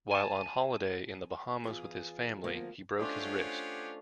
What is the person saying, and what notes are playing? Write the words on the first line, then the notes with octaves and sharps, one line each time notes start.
While on holiday in the Bahamas with his family, he broke his wrist.
G#5 A5
E2 F4 G#4
D2 F3 A#3 B3
A3 C#4 D4 F4 G4 G#4 C5 F#5